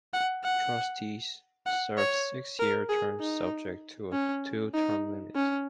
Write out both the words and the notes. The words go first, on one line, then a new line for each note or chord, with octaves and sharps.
Trustees serve six-year terms subject to a two-term limit.
F#5
F#5
F#5
C#5
A#4
G#4
D#4
C#4
D#4
C#4